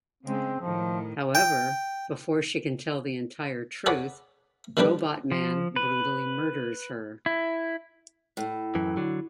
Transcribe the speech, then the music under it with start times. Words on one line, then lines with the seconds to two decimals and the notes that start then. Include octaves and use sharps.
However, before she can tell the entire truth, Robotman brutally murders her.
0.23 C#3 G#3 C4
0.60 A2 D#3 F3
1.35 G5
3.86 G#4 A4 C#5 D5 F#5 B5
4.77 D#3 F3 G3 D4 B4
5.32 F3
5.76 B4
7.26 E4
8.37 A2
8.75 F#2 E3
8.97 D3 F#3